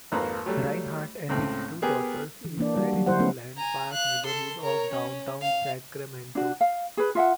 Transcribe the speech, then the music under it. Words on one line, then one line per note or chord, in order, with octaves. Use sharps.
Rinehart and his two daughters reside in the Land Park neighborhood of Downtown Sacramento.
G#1 F2 A#3 B4 A#5 B5
F#3 G3 A3
C#2 A2 C4
B3 G4 G#4 A#4 B4
E3
E3 A#3 D4 D5
G3 F#4
F#3 G3
D3 F#3 E4 C5 F#5
A3 B3 C#4 E4
G#5 A#5
F5 F#6
A4 C6
A#4 C#5
C#4
F5
D4 F#4
F5
G#4 B4
F4 E5 F#5